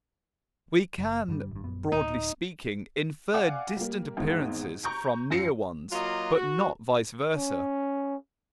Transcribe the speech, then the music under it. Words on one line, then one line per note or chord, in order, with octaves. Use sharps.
We can, broadly speaking, infer distant appearances from near ones, but not vice versa.
F#1
G2 D3 G3
G#1 G2
A#1 F#2 B3
D1 D#4
D5 F5 F#5 G#5 D6
G3 A#3
G#1 E2 G#2
A#5 C#6 G6 D7
F#2 F4 A#6 C7 C#7
F#3 A#3 F4 F#4 D#5
F#4
C#4